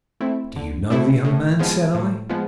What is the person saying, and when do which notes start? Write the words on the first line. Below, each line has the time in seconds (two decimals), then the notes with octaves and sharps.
"Do you know the young man?" said I.
0.21 A3 C4 E4
0.56 D3
0.90 A3 C4 E4
1.25 A2
1.59 F3 G#3 B3
1.95 A2
2.30 F3 G#3 B3